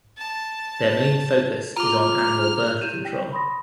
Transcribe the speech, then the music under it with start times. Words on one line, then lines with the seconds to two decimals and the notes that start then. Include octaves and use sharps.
Their main focus is on animal birth control.
0.17 A5
1.76 F4 A#5 D6 F6
2.81 E4 G4 G6 D#7 E7
3.05 G5
3.32 B5 C6 D#6 A#6